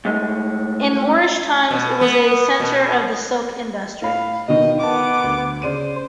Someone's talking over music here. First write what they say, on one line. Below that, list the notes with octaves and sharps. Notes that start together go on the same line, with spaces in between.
In Moorish times it was a centre of the silk industry.
A2 G#3
B2
B3
B2
A2 F5 B5
B2 D#3 D#5
B3 A#4 A5 D6
D2
C#3 C5 D5 D#7